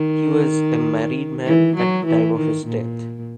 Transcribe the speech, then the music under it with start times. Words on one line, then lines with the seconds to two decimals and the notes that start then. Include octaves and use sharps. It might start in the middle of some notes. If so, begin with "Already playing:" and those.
He was a married man at time of his death.
Already playing: D#3
1.46 E3
1.76 F#3
2.06 E3
2.37 D#3
2.67 A#2